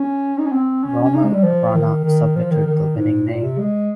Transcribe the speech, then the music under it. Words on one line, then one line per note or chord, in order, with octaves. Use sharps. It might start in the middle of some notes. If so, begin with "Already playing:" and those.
Rommel Rana submitted the winning name.
Already playing: C#4
D#4
C#4
C4
C#4
C#4
D#4
G#3
G3
F3
D#3
D#3
F3
D#3
D#3
G#2
A#2
C3
G#3